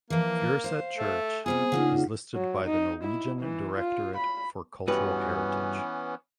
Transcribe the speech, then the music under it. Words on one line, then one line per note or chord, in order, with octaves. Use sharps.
Furuset Church is listed by the Norwegian Directorate for Cultural Heritage.
E3 F3 A#3
C5 F5
A3
C3 G3 B3 F4 G#4 C5
C#3 A#3 D4 D#4 F4 F#5
F#3
D#4
E4
E3
F4
B5
G2 E3 B3 C#4 F#4 B4